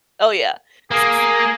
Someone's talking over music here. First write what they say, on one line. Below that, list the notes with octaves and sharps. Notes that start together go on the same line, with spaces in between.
Oh yeah, s s
A#3 G#4